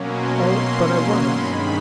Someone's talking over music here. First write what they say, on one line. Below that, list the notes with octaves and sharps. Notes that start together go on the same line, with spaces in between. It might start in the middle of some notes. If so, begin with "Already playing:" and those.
"Oh, but I was."
Already playing: B2 F#3 A#3 C#4
C6
G2 D#3 G#3 B5